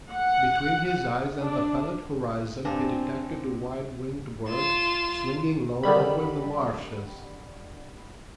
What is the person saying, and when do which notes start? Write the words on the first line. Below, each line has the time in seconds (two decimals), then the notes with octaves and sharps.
Between his eyes and the pallid horizon he detected a wide-winged bird swinging low over the marshes.
0.11 F#5
1.38 D4
2.65 G2 C4 G#5 A5
4.49 F4 E7
5.83 D3 D#3 G3 B5